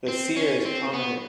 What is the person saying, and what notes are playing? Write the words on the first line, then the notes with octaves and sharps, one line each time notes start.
The cere is prominent.
C4
C#4
C4
B3